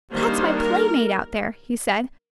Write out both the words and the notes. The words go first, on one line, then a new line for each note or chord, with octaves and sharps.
"That is my playmate out there," he said.
D#3 G3 A#3 D4 C5
A#4